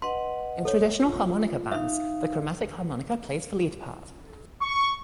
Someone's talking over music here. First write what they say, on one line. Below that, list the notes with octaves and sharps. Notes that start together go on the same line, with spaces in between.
In traditional harmonica bands, the chromatic harmonica plays the lead part.
B4 D#5 F#5 C6
A4 C#5
F4
D#4 E5 F5
C#6